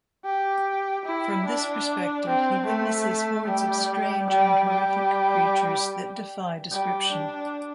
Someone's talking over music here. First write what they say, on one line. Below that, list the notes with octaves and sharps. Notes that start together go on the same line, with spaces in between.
From this perspective, he witnesses hordes of strange and horrific creatures that defy description.
G4
E4
D4
C4
A3
G3
G3
G3
G3
D4